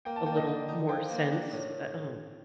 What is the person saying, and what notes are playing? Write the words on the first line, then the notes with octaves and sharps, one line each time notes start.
a little more sense, eh, um,
A#3 G5
A5
A#3 G5
D5
D#5
D3 D#5
D#4
F3 G5
A#3
D4
A2